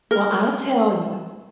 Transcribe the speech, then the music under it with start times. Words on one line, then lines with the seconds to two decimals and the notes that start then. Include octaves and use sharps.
Well, I'll tell ya.
0.11 A#4